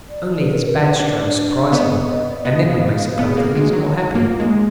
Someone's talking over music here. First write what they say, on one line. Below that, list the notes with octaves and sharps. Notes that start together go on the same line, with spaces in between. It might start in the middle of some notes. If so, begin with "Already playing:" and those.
Only his bad strokes surprise him, and then we may suppose that he is not happy.
D5
D5
B4
A#4
B4
D4 D5
D5
B3 D#5
D#5
D5
B3 D#5
F5
F5
D#5
F5
B3 G#4
A#3
G#3 F#4
F#3
D#4
A#3 F4
G#3 D#4
D#4